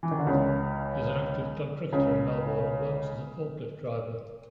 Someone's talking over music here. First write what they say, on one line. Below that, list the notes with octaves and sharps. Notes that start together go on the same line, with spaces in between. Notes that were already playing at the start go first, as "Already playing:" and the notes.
He is an active club cricketer in Melbourne and works as a forklift driver.
E3
D#3
D3
C#2 C#3
C#2 C#3